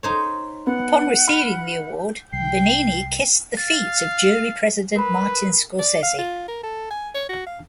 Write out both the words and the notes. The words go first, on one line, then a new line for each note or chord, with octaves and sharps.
Upon receiving the award, Benigni kissed the feet of jury president Martin Scorsese.
D#4 C5 C#5
B3 F#5
B5 F6
C2 C3 G3 G5 C7
F5 A6
A#4 B4 B5
D5
F5
F4
A#4
A4
G#5
C#5
F#4
F5